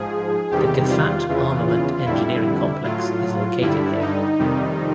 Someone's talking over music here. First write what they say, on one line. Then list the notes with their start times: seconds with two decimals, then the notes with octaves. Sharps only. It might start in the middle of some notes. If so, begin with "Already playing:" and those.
The Gafat Armament Engineering Complex is located here.
Already playing: G#2 F3 G#4
0.51 E2 C3 D#3 G3 G4
0.90 F4
1.29 E2 C#3 E3
1.68 F4
2.06 F2 D3 G3 E4
2.84 A2 F#3 F4
3.61 G2 D3 G3 E4
4.01 D#4
4.39 F2 C3 D#3 G3